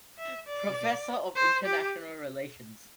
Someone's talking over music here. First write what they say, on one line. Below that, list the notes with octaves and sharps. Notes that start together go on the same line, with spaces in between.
Professor of International Relations.
E5
D5
C5
G4